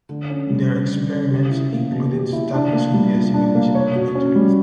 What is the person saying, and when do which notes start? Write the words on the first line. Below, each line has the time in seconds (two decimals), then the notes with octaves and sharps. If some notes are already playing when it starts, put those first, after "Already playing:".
Their experiments included studies on the assimilation of nutrients.
0.09 D3
0.30 C#4
0.50 G3
0.70 D3
0.91 D3
1.11 C#4
1.31 G4
1.51 E4
1.72 A#3
1.92 B2
2.12 G4
2.33 E4
2.54 D4
2.73 A#3
2.94 G3
3.14 A#2
3.34 D4
3.55 A#3
3.75 C#5
3.96 F#4
4.15 C#4
4.35 G3